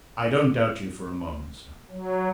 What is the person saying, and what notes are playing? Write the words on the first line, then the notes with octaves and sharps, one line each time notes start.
"I don't doubt you for a moment, sir!"
F#3